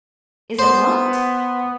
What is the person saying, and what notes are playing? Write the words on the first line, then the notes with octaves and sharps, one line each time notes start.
"Is it locked?"
B3 C5